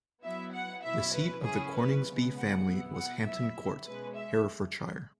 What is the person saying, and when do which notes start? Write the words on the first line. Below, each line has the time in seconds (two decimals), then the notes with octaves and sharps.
The seat of the Coningsby family was Hampton Court, Herefordshire.
0.23 F#3 B3 E4 E5
0.54 F#5
0.83 B2 F#3 C#4 E4 E5
1.14 B4
1.44 C#3 F#3 C#4 E4 G#4
1.75 B4
2.05 C#3 G#3 B3
2.34 F#5
2.65 B2 B3 E4
2.96 F#5
3.25 F#3 E4 E5
3.86 B2 G#3 C#4 B4
4.16 E5